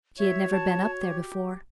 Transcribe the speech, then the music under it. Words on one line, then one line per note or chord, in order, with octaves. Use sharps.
She had never been up there before.
F#4 C#5 E5
A5
G4